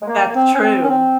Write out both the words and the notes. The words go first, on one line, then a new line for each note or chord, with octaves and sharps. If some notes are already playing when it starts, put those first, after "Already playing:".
That's true.
G#3
A#3
A#3
C4
C#4
C4
C#4
C4